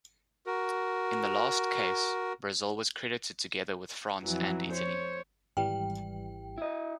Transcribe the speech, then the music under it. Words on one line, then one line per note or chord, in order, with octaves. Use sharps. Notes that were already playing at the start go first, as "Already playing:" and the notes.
In the last case, Brazil was credited together with France and Italy.
F#4 A#4
F2 E3 F#3
C5 C#5
G#1 E3 G3 G5
E4 D#5